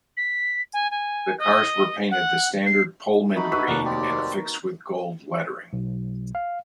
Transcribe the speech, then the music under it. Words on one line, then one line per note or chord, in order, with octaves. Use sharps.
The cars were painted the standard Pullman Green and affixed with gold lettering.
B6
G#5
G#5
D#5
F#5
C7
A3 D#4 F#4 A5 B5
F#4 B4 D#5 E6 B6
F1 D#2 D#4 A#4 D5 F#5
C4 G4 D5
F#5
B1
F5